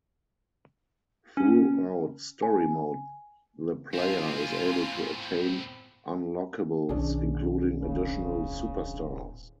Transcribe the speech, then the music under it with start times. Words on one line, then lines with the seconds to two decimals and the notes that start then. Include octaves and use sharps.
Throughout Story Mode, the player is able to attain unlockables, including additional superstars.
1.37 C#4
2.42 G#5
3.94 A2 C4 F4 G#5
6.89 B1 D#3 C#4 D4 G#4
7.82 D1 C#3